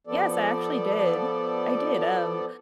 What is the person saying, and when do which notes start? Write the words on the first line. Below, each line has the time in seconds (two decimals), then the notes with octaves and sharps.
Yes, I actually did. I did, um,
0.07 F3 B3 A4 D5